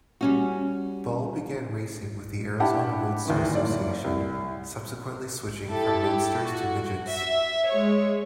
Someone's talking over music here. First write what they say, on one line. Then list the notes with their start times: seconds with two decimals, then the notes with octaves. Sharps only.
Ball began racing with the Arizona Roadster Association, subsequently switching from roadsters to midgets.
0.21 G3 C#4 F#4
2.60 D4 E4 G4 F#5 G5 A5
3.25 D2 D#3 E3
3.52 F#1 A2 D5
4.04 C2
5.67 E4 G4 A4
6.40 F#4
7.08 E5
7.69 G#3 C#5